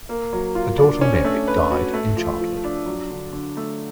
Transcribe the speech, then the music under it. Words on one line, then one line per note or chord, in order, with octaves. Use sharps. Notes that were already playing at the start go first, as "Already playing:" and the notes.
A daughter Mary died in childhood.
A#3
F#3
F4
D4
C#4
A3
B4
F#4
A3
F3
F3
D4
F#3
D3
D3
A3